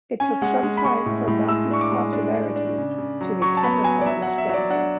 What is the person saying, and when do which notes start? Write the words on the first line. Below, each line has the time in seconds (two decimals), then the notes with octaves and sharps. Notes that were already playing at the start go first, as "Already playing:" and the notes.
It took some time for Matthews' popularity to recover from this scandal.
0.20 C#4 G#5
0.42 G#3 F#5
0.63 G#3
0.77 B5
0.84 G#3 C#6
1.06 A2
1.27 A2
1.48 G#3 E6
1.71 D4 C#6
1.81 D6
1.92 G#3
2.13 D4
2.35 D4
2.56 D4
2.78 C#3
2.98 C#3
3.21 F#3
3.42 F#3 C#6
3.57 A5
3.63 B3 B5
3.84 F#3 G#5
4.01 D5
4.06 F#3 E5
4.22 F#3 F#5
4.38 E5
4.49 F#3 D5
4.70 D4 F#5